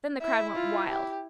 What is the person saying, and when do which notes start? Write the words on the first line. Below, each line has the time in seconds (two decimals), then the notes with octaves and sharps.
Then the crowd went wild.
0.21 E4 E5
0.56 F4
0.89 G4